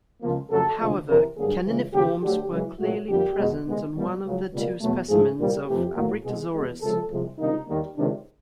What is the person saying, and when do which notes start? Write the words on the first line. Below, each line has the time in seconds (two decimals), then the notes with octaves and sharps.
However, caniniforms were clearly present on one of the two specimens of "Abrictosaurus".
0.21 C#2 C#3 F3 A#3
0.50 F2 C#3 F#3 A3 A4
0.79 D2 C3 F3 G#3
1.08 F2 C3 E3 A#4
1.36 G2 D3 F#3 A#3 G#4
1.65 C#2 C#3 E3
1.93 D#2 C#3 F#3 A#3 G4
2.22 D2 D3 F#3 G4
2.51 F#2 C#3 E3 G#3
2.80 C2 A#2 F#3 A3 F#4
3.09 F2 D3 G3 A#3 G4
3.37 E2 B2 G#3
3.66 C2 B2 G#3
3.95 C2 B2 G3 A#3
4.24 C#2 C#3 F#3
4.53 C#2 B2 G3 A#3
4.81 E2 B2 F#3 A3
5.09 G#2 F3 A3 G#4
5.39 C2 A#2 G3 A#3
5.66 F2 C3 E3 A3 G4
5.95 A2 F#3 A#3
6.24 C2 B2 G#3 G#4
6.53 E2 B2 G#3
6.82 C#2 C3 F3 A4
7.11 C2 C3 F3 G#3
7.39 C#2 C3 D#3 G3 A#3 D#4
7.68 D#2 D#3 G3 A#3
7.97 C#2 C3 D#3 D4